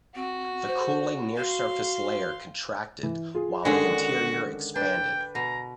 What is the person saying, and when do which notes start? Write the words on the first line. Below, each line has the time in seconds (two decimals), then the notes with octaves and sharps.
The cooling near-surface layer contracted, while the interior expanded.
0.15 C4 F#4
0.67 C5
1.37 F#4 F5 C6
3.03 E3
3.35 F4 G#4
3.65 D3 D#3 G#3 C#4 D4 F#4
4.76 D4 B4 G5
5.35 B2 A#5